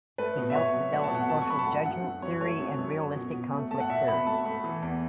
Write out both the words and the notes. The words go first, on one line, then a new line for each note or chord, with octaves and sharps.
He helped develop social judgment theory and realistic conflict theory.
A3 B4
B2
E5
B2 C#5
F#3
A3 F#5
A5
B2 F#5
B2 A5
C#6
F#3 B5
A5
A3 F#5
F#2 F#5
F#2
F#3 C#5
A3 C#5
F#2
F#2
F#3
B2
B2
A3
A3 A5
F#5
B2 E5
B2 B5
A3 A5
A3 B5
E3
E2